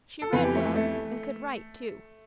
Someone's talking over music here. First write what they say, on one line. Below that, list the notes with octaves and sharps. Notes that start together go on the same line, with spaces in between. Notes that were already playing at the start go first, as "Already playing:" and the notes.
She read well and could write, too.
A4
F2 E3 B4
G4
A3
A3
A3